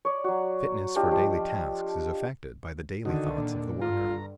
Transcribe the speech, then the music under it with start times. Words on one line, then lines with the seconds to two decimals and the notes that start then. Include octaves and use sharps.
Fitness for daily tasks is affected by the daily thoughts of the worker.
0.05 C#5 D5
0.24 F#3 F#4
0.96 D4 F4 G4 D#5
1.11 F3 G4
3.05 D3 D#3 D#4 F#4
3.38 A#2 D4
3.82 G2 D3 F4 A#5